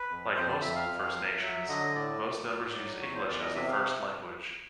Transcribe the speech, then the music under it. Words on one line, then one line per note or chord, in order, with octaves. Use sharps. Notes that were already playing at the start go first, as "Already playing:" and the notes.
Like most First Nations, most members use English as the first language.
Already playing: B4
F2
F2 C5
D5
F2 E5
F5
F2
F#3
F#3 E5
D3 D#5
A2 D5
F#3
A2
F#3
E2 C#5
C5
E2 D5
D#5
C3 E5
F5